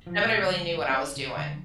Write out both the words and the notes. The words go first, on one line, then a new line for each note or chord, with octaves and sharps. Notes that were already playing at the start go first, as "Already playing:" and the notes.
Nobody really knew what I was doing.
F3
B2
G1
C#4
C#3
D3